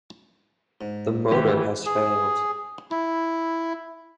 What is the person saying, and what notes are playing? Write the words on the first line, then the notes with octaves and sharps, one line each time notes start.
The motor has failed.
G#2
D#3 E3 A3 F#4 G4
G#4
E4